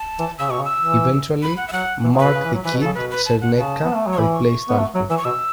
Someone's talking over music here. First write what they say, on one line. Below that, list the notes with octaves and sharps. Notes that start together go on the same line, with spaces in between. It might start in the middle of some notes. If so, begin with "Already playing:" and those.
Eventually Mark "The Kid" Cerneka replaced Alfie.
Already playing: A5
E3
C#3 E6
B2 C#6
C#3
E6
E3
B5
F#5
E5
F#3 F#5
E3
C#3
B4
B2
C#3
E3
F#3
E3 B4
B2
C#3 A4
B2 B4
B4
A5
F#5
C#3 A5
B3
A3
F#3
C#6
E3 B5
C#6
B3
A3
F#3
E3 E6
C#6
B2 E6